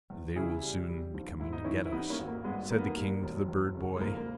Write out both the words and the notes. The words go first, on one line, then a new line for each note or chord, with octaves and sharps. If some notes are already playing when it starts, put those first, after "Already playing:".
"They will soon be coming to get us," said the King to the bird-boy.
E2
C#3 E4 G#4
G3
G3
A#1
G#2 E4
D#4
E3 C#4 E4
E4
G3 B3 D#4
A#3 C#4
G#1
A#3
G2 G#3 B3
D#3 A#3
B3
A#3
G3
E1
E2
C#3
G#3
A#1 A#3
A#3